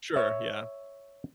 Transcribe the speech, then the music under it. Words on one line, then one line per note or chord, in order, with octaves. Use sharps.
Sure, yeah.
C#5 E5